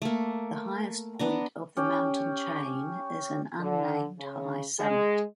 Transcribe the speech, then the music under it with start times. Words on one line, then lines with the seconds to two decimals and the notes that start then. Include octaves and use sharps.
The highest point of the mountain chain is an unnamed high summit.
0.02 A3 A#3
1.19 B3 D4 A#5
1.77 C#4 G4
3.60 D3
4.19 C#3
4.79 G#3